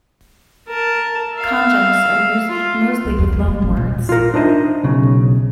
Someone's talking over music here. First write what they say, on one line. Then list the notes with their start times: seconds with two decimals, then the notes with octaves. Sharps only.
Conjuncts are used mostly with loan words.
0.68 A#4 A5
1.35 E5 F5
2.49 F4
3.05 C2
3.18 E2
3.33 G3
3.48 A#3
3.62 A1
3.77 A#2
4.09 F4 A#4
4.34 D4 D#4 C5 D#5 E5
4.83 B1 C#3